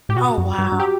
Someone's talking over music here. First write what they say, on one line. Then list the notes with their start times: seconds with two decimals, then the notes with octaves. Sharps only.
Oh, wow.
0.09 A2 G4
0.16 B2 F#4
0.38 F#2
0.58 G2
0.72 G2
0.80 G4